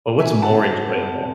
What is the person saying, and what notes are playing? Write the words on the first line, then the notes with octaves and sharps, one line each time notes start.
but what's more enjoyable?
F#3 E5 G#5
C#3
F#5 A5
C#3
F#3
F#3
F#2
C3